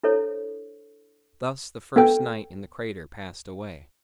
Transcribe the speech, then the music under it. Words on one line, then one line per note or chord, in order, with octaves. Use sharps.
Thus the first night in the crater passed away.
D4 E4 A4 C5 C#5
B3 A4 G5